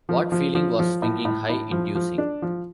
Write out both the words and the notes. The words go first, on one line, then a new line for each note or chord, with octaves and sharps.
What feeling was swinging high inducing?
F3
F3
F3
F3
A2
A2
A2
F3
F3
D4
F3